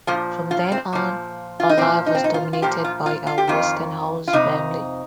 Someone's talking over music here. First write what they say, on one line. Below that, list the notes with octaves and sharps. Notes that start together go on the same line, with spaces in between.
From then on her life was dominated by her Westenholz family.
A#2 F3 F4
F4
C4
A#2 F3
F4
D#4
A#2 F3 C4
D#4
C4
D#4
F4
F4
A#2 F3 G4
F4
F4
F4
G4
F2 D#3 F4
F4
F2 C3 D#4